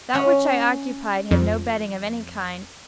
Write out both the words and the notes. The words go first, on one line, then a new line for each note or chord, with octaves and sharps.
That which I occupied had no bedding of any kind.
C#4 F#5
F2